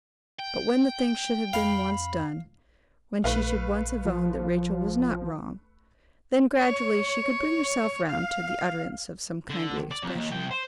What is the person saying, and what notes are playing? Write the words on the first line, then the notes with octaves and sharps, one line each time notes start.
But when the thing should have been once done, when she should once have owned that Rachel was not wrong, then gradually she could bring herself round to the utterance of some kindly expression.
G5
F2 F5 B5
A#1 A3 B4 F5
F3
C#5
F5
D3
D5
F2
D#2
C2 G5
C5